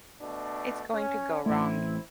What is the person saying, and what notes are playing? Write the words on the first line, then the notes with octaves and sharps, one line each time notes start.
it's going to go wrong,
B2 A3 D4
C#4
A1 A3 C4 E4